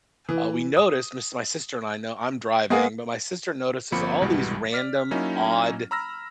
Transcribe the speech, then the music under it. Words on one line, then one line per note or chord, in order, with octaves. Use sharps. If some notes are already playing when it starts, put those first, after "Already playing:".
uh, we noticed my sis my sister and I no I'm driving, but my sister notices all these random, odd
E3
D#6
G#3 A#3 B3 G#4
G1 F3 A#3 C4 B5 C#7
C2 G2 B2 E3 G3 G#3
D5 F6 B6
F#3 A#3 C#4 D#4 E4
A#5 B5 E6 F6 A#6